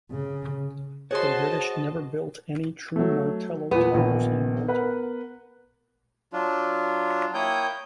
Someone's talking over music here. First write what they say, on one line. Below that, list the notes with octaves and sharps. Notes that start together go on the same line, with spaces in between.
The British never built any true Martello Towers in Malta.
C#3
F#4 G#4 C5 C#5 D#5 F#5 A5 C6
F#3 A3
E2 A#2 B3
A#1 D#3
A#4 B4 F#5
F#3 D4 F4
A#3 E4 C#5 G5 D#6 G6